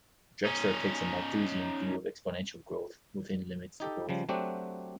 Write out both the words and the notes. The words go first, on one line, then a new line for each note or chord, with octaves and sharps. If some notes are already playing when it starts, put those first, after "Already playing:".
Drexler takes a Malthusian view of exponential growth within limits to growth.
C#4 D#4
D#4 G4 A4
C#3 F3 G3
F#3 A3 C4 D4 F#4 G4